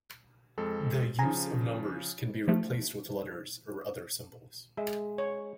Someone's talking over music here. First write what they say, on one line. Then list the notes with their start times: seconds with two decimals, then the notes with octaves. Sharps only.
The use of numbers can be replaced with letters or other symbols.
0.58 F2 G#3 A4
1.19 C#3 F3 G#5 A#5
2.48 F3 A3
4.77 G#3 E5
5.18 C#5